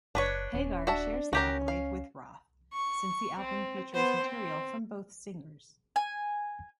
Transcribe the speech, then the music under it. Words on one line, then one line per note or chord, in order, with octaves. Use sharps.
Hagar shares the accolade with Roth, since the album features material from both singers.
F#1 D4 B4 C#5
D#1 C#4
D4 F#4 E5 A5
C#2 C#4 F#4 G4 A#4
F5
C#6
C4
B3 C5
C4
G#5